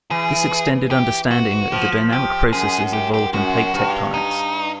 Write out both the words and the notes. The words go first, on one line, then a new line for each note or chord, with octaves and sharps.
This extended understanding of the dynamic processes involved in plate tectonics.
E3 G#4
G4
F#4
F3
G4
F#2 G#4
G4
G4
F#2 F#4
G2
D#4